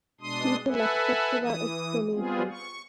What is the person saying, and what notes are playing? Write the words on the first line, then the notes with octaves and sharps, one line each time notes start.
People accepted our explanations.
B2 G#3 D4 C6 D#6
A4 B4 E5 F#5 G#5
E3 D#6
G3 B3 C4 F4 G#4
C#6